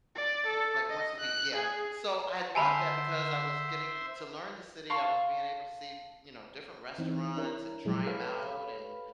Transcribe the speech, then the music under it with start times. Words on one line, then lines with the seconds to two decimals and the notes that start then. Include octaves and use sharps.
L like once a week, yeah. So I love that because I was getting m to learn the city, I was being able to see, you know, different restaurants and try 'em out and
0.15 D5
0.47 A4
0.89 D#5
1.20 F#6
1.55 G#4
2.55 D3 C5 E5 G#5 A5 B5 C6
4.90 F5 A5 C6 C#6
6.98 E3 C4 D#4
7.37 D4 E4 A#4 C#5
7.85 A#2 F3 F#3 G#3 E4
8.06 G4 A4 B4 C#5 F5 B5